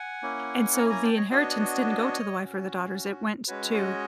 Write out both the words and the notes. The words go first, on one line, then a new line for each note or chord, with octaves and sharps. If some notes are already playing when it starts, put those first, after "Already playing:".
And so the inheritance didn't go to the wife or the daughters, it went to
Already playing: F#5 G#5
A#3 C#4 E4
G#5 A#5
G#5 A#5
G5 A5
C#5 D#5
B3 D4 F#4 C#5 D#5
C#4 F#4
G#3 C#4 F#4 B4 C#5
C#5 D#5